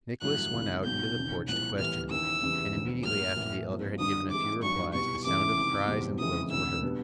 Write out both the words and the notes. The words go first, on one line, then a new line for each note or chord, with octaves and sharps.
Nicholas went out into the porch to question him, and immediately after the elder had given a few replies the sound of cries and blows were heard.
A1 G2 D3 F#3 A3 F#6
C#2 C3 D#3
B1 B2 F#3 G6
E1 D#2 C#3
C2 A#2 F3 F#6
A1 A2 E3 G3 B3 F6
D#2 C#3 E3 E6
E2 C#3 E3 G3 A#3
E1 D2 D3 F3
A2 F#3 A#3 F6
A1 A2 E3
C2 C3 F3 A#3
G1 G2 D3 D#6
C3 E3 G#3 D6
G#1 G2 D#3 F#3 C#6
C2 B2 G3 B3 C#6
E2 C#3 E3 A3 C#4 D6
C2 C3 D#3
F#1 E2 B2 G3 C4
F#1 F2 C#3 E3 G#3 D#6
E1 D2 C3 E6
B2 G3 B3 D4